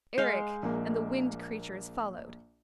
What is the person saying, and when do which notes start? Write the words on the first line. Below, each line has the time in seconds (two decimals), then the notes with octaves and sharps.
Eric and the Wind Creatures followed.
0.18 G#3 F5 G6 C7
0.63 A#1 A#3